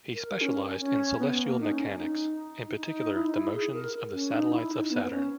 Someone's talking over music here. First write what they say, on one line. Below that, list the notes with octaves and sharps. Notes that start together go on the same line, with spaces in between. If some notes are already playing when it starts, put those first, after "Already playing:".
He specialized in celestial mechanics, in particular the motions of the satellites of Saturn.
A#4
C#4
C#4
B3
A#3
D#4
C#4
D#4
D#4
E4
D#4
E4
G#4
A#4
C#4
D#4
E4
D#4
B3
B3
C#4